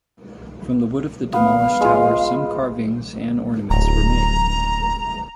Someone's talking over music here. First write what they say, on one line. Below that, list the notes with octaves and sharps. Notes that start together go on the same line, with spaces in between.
From the wood of the demolished tower some carvings and ornaments were made.
B3 F5
G#3 F4
D1 A#5